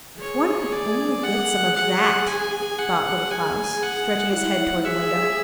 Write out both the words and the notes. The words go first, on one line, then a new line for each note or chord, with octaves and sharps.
'If one could only get some of that!' thought Little Klaus, stretching his head towards the window.
G#4 C#5
D5
G#4 F#5
F#5
G#5
F#5
G#4 G#5
F#5
E4 F#5
G#4 E5